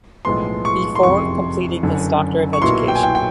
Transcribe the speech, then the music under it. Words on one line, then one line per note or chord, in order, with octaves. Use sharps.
Before completing his Ed.D.
B1 A2 F3 G#3 B3 C6
C#6
C6
F#1 F2 C3 C#6
F#1 F#2 D3
C#6
B1 A#2 F#3 B3 E4 C6
G5
G#5
G5
G5